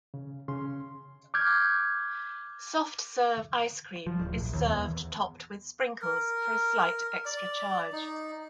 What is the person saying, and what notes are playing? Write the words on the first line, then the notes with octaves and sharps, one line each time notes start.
Soft serve ice cream is served topped with sprinkles for a slight extra charge.
C#3
C#3 C#4 C6
D6 F6 G6 G#6
F3
D1
A#1
D#2
E2
A#4
D5
D#4